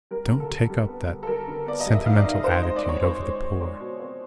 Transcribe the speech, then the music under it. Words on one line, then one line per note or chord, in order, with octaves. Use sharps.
Don't take up that sentimental attitude over the poor.
G3 A#4
D3
A4
G3
G3
B3
G3
A4
G3 A#4
D3
B3 D5
D#5
G3
E5
D#4 F5
D5
D#4 D#5
C4 C5
G#3 D#5
D5
C4
C#5
G#3 C5
G#3
G#3
G#3 C#5
B2
C4